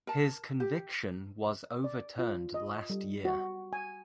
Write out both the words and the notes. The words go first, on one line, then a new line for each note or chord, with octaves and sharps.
His conviction was overturned last year.
A#4 A5
G4
D5
F4
D#5
G3
F#4
G#5